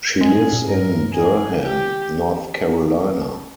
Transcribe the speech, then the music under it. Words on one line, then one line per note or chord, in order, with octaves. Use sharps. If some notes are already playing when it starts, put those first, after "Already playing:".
She lives in Durham, North Carolina.
G#3 G#4
A#2
A#2
G2 A#4
G#4
C#3
D#3 G4